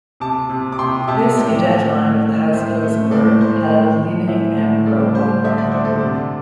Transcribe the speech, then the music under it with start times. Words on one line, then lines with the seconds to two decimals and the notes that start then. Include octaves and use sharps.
This cadet line of the House of Luxembourg held Ligny-en-Barrois.
0.20 C3 A5 D6
0.49 C3
0.72 D6
0.79 C3 G5 C6
1.08 C3 E5 A5
1.37 A2 D5 G5
1.67 A3
1.95 A2
2.25 A2
2.53 A2 C5 E5
2.83 A3
3.11 A2 A4 D5
3.41 A2 C5
3.70 A2
3.99 A2
4.28 E3 C5 E5
4.57 A2
4.86 G3 A4 D5
5.15 G3 C5
5.44 D3 E5
5.58 D5
5.71 D3 C5
5.85 A4 D5
6.03 C3